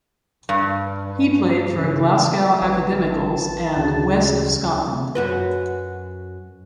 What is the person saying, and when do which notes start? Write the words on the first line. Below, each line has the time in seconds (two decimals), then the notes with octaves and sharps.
He played for Glasgow Academicals and West of Scotland.
0.49 G2
1.71 C#3 E3
2.62 A1 B4
3.09 A5
3.76 D2 C#3 F#4
5.15 F#2 F#4 B4